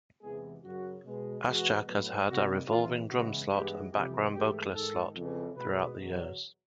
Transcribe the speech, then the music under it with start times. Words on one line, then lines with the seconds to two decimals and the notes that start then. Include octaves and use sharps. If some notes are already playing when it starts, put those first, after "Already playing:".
Assjack has had a revolving drum slot and background vocalist slot throughout the years.
0.22 E2 C3 E3 G#3 B3 G#4
0.63 F#2 C#3 F#3 F#4
1.04 B2 G#3 B3
1.45 E2 B2 G#3 B3 F#4
1.86 A2 F#3 B3
2.27 C3 D#3 G3 A#3 F#4
2.68 E2 C3 E3 F4
3.10 C#3 E3 G#3 B3 F#4
3.51 G2 E3 G#3 B3 G4
3.92 F2 C3 E3 G3 B3 G4
4.33 G#2 E3 A3 G4
4.74 G#2 D#3 G#3 A4
5.15 F2 C#3 E3
5.55 B2 G#3 B3 B4
5.97 E2 B2 F#3